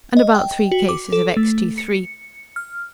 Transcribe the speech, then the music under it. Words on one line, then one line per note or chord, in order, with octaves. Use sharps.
And about three cases of Extee Three.
D#5
G5
F#4
D6
A4
A3
C#7
F6